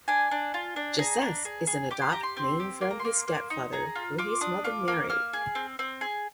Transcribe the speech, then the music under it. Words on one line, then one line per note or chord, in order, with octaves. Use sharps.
Gessesse is an adopted name from his step father who his mother married.
D4 G#5
D4
F4
D4
G#4 A#5
D4
G#4
G#4
G4 D6
C6
G4 A#5
C6
C4
G4
A#3 C6
A#5
C6
A#3
A#3
D#4
G#4 A#5
F4
F4 D6
D4 D#6
F4 D6
A#3
A#3 F6
G#4
C4
C4
G#4